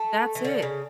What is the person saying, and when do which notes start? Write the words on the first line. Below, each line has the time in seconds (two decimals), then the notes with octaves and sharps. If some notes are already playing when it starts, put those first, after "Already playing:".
That's it.
Already playing: A3
0.35 E3
0.44 D3
0.62 C#3